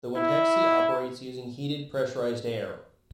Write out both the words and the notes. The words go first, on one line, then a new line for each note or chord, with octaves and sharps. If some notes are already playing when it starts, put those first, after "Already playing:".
The Windhexe operates using heated pressurized air.
E4